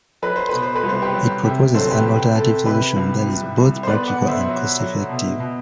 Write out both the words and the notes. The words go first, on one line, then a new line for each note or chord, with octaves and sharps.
It proposes an alternative solution that is both practical and cost effective.
F#3 B4
C5
B2 B4
C5
B4
C2
C5
G4 B4
F#3
C3 G4
F#3 A4 C5
G4 B4
F#3 G4
C3 A4
C3 G4 B4
C2
C2
C2
C5
B3 B4 D5
D5 F#5
B2
C5 E5
F#3
F#3
B2
B2